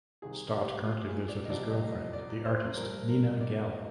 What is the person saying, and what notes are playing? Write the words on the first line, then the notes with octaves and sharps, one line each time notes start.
Stott currently lives with his girlfriend, the artist Nina Gehl.
C2 C3 D#3 G#4
G4
F4
G#4
D5
D#5
C2 C3 F3 D5
D#5
D#5
D5
C5
G2 F3 A#4
A#4
D#5
D5
D#5